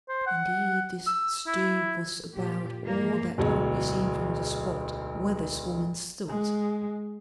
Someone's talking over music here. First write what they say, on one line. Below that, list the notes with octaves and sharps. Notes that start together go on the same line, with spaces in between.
Indeed, this stoop was about all that could be seen from the spot where this woman stood.
C5
F#5
E6
E4
A#2 G4
G2 E3 F3 A#3
D1 B1 F#3 G#3 C#5
G#3